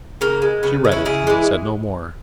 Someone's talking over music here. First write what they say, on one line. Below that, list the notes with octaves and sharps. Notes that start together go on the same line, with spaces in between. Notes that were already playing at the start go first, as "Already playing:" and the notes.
She read it, and said no more.
C#3 A#3
G#3
C#3 B3
G#3
C#4 E4
C#3 E4 G#4
E3 G#3